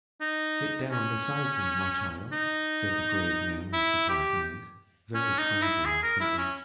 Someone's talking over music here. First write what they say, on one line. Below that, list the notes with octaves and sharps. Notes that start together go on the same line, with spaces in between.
'Sit down beside me, my child,' said the grave man with the black eyes, very kindly and gently.
D#4
C#4
D#4
E4
G4
C#4
D#4
E4
G#4
A#4
E4
C#4